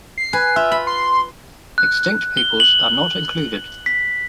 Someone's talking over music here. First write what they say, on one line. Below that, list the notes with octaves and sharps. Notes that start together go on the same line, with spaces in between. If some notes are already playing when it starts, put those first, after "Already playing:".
Extinct peoples are not included.
C7
B4 G#5
F4 E5
B5
C6
F#6
G7
F#7
B6